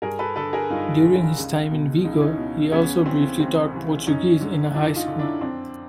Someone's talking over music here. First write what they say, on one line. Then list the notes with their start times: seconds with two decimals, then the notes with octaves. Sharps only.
During his time in Vigo, he also briefly taught Portuguese in a high school.
0.02 G2 G#4 A#4
0.19 A4 B4
0.36 D3 A4 B4
0.53 G#4 A#4
0.70 G2 D#4 F4
1.04 D3
1.38 C#2
1.71 B2
2.04 C#2 D#4
2.13 E4
2.20 C#4 D#4
2.38 B2
2.72 C#2 B3 C#4
3.06 C3 E3 C4
3.39 C#2 C4
3.73 C3 E3
4.06 F#2 C#4 D#4
4.41 D3
4.74 F#2 D4 E4
4.96 D#4 F4
5.08 D3
5.19 D4 E4
5.41 F2 C4 D4